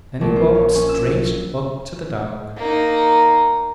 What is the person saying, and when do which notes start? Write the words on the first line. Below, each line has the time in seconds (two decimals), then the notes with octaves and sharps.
Then he walked straight up to the dog.
0.21 A#1
0.36 F4
0.55 C#5
0.75 C#4
0.89 E6
2.57 A#3 D#4